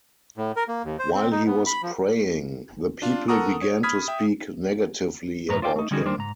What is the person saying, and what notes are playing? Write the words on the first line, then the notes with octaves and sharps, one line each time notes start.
While he was praying, the people began to speak negatively about him.
A2
A#4
A#3
D#2
C5
C4
D#4
B3
B5
F3
D4 F4
A4 A#4 F#5 A#5 C#6 D#6
C#5
B5 D#6 F6 G#6 B6
E5 G5
F#2 A2 B4 C5 A#5
F4 C5 D5 F5 G5
A3 D#4
D3 G3 C#4 D#4 F#4 G#4
G3 D4 A#4 C5
G#2 A#5